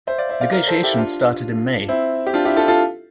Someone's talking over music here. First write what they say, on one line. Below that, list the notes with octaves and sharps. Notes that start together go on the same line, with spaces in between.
Negotiations started in May.
C5 E5
D5 F5
C5 E5
D5 F5
A#4 D5
A4 C5
E4 G4
D4 F4
C4 E4
G4
D4 F4
E4 G4
F4 A4
F4 A4